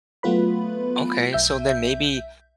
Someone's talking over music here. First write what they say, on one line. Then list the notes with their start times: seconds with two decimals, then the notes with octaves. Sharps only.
Okay so, then maybe
0.23 F#3 A3 B3 F4 B4 B5
1.33 B1 E5 G6